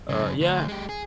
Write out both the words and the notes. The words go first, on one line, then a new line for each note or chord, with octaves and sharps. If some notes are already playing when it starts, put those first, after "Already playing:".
Uh, yeah,
F#2 C#3
D2
G#3 G4
G#4